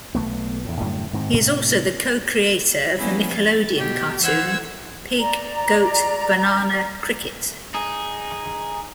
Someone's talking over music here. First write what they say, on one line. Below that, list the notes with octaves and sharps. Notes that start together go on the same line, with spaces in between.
He is also the co-creator of the Nickelodeon cartoon "Pig Goat Banana Cricket".
B1 A3 B3
E2 A2
F#2 A2 D3 G3
G#2 D#3 C4
A2 C3
F3 G3 A#3 B3 C#4 E4
A6
B2 G4
E3 C5 F#5 E6 G#6
D5 A#5
D#4 G#4